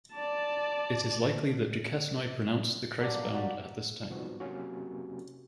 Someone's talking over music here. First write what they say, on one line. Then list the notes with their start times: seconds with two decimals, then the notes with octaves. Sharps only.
It is likely that Duquesnoy produced the "Christ Bound" at this time.
0.13 D5 A5
2.99 F#3 G3 D4
3.15 A#3
3.33 G3 A#3 F#4
4.10 G#2 C3 F3 G3 B3 F#4
4.40 C3 F#3 A#3 C#4 F#4